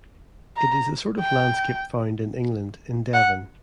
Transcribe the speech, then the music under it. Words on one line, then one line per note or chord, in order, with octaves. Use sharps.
It is the sort of landscape found in England in Devon.
A#5
G5
F#5